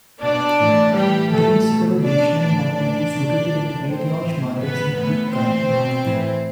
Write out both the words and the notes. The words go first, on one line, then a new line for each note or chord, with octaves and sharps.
Devils Tower National Monument is located in the Bear Lodge Mountains in Crook County.
B2 D4 D5
A2 E3
A2 E3 G3 G4
A2 E3 A3 A4
B2
B2 D4 D5
A2 E3 D4 D5
A2 E3 D4 D5
B2
A2 E3
A2 E3 C4 C5
A2 E3
A2 E3 B3 B4
A2 E3 B3 B4
A2 E3 C4 C5
B2
A2 E3